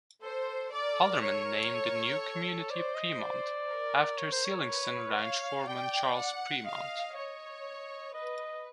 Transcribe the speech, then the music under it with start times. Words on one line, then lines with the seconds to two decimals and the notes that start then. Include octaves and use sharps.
Halderman named the new community Premont, after Seeligson Ranch foreman Charles Premont.
0.22 A4 C5
0.72 A4 D5
0.82 A#4
0.93 A4
1.03 A#4
1.13 A4
1.21 A#4 C#5
1.34 A4
1.44 A#4
1.54 A4
1.64 A#4
1.74 A4
1.85 A#4
1.96 A4
2.05 A#4
2.16 A4
2.70 C5 D5
2.95 D#5
3.19 D5
3.68 A#4
4.18 C#5
4.32 C5
4.45 C#5
4.67 B4
5.17 F5
5.67 D5 G5
6.16 F#5
6.65 D#5 F5
7.15 C#5
8.14 B4 D#5